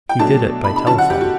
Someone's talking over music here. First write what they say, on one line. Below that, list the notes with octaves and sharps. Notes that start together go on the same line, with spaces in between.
He did it by telephone.
G5
B2 F#3 A3 D4 A5
B5
B5
D3 F#3 C#4 A5
F#5
G4
F#4